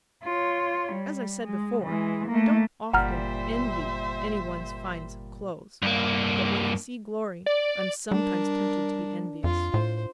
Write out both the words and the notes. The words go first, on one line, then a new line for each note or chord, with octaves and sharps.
As I said before, I don't often envy any one's fine clothes, but when I see Glory I'm sometimes tempted to be envious.
F4 C#5
G3
G#3
E3 G#3
A3 A#3
G1 A#2 G3 C5 E5 F#5 A#5 F6
G2 A#3
D5
G3 D4 A#4
F2 F4
A2 C5